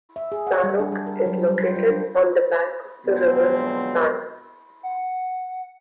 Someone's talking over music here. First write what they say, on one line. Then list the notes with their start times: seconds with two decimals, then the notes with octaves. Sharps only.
Sanok is located on the bank of the river San.
0.16 E5
0.32 G#4
0.47 F#5
0.64 G3
0.79 D4
0.92 G3
1.06 A#4
1.26 F#3
1.47 G3
1.60 C5
1.76 F4
1.90 D4
3.05 B2 D3 F3 F#3 G#3 C4
4.83 F#5